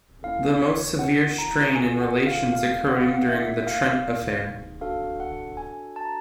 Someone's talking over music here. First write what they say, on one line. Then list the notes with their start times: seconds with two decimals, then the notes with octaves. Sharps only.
The most severe strain in relations occurring during the Trent Affair.
0.23 A#3 C#4 E4 A4 F5
0.61 C#5
0.99 F#5
1.38 A#5
1.75 A#3 C#4 F4 A4 G#5
2.01 F#5
2.27 F5
2.53 F5
2.90 F#5
3.02 F5
3.15 F#5
3.28 A#3 D#4 G#4 E5
3.67 F5
4.81 D4 F#4 A4 F5
5.20 F#5
5.57 G#5
5.96 A5
6.05 A#5